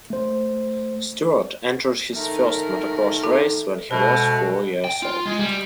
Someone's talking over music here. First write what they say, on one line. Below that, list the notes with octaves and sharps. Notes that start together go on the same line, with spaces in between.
Stewart entered his first motocross race when he was four years old.
A3 C5
D#3 A3 A#4
A4
B2 G#3 A3 F#4 A4 C5
G5
F4
G#3
G3